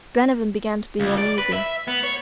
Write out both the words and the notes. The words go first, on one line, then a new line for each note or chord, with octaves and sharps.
Glenarvan began to be uneasy.
C#2
D5
B4
E5
B3
C#5